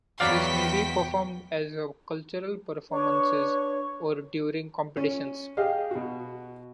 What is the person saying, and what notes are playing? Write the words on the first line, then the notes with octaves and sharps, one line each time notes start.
This maybe performed as a cultural performances or during competitions.
E2 F#3 B3 F#4 D5 F5 G5 B6
D4 B4 C#5 C#6
C#4
G4 G#4 D#5 F5
B2 F#4